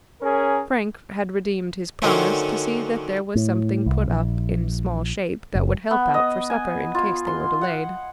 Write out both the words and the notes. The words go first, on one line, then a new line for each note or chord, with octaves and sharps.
Frank had redeemed his promise to see that there was something put up in small shape that would help out for supper, in case they were delayed.
C#4 G#4 A#4
D3 D#3 F#3 A3 C4 C#4
A2
C2
A#1
F#1
B3
D#5
G#5
F4
C6
F#5